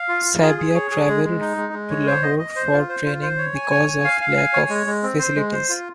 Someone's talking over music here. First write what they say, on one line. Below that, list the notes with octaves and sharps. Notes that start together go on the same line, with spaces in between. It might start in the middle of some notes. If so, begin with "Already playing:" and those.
Sabia travelled to Lahore for training because of lack of facilities.
Already playing: F5
F4
F4
G#4
G#4
C#5
G#4
G#3
G#3
D#4
G#3
G#3
C#5
C5
D#5
D#5
C5
F4
C5
F4
C5
C#5
G#5
C#5
G#5
F5
F5
G#5
C#5
G#3
G#3
C4
C5
G#3
C5
F4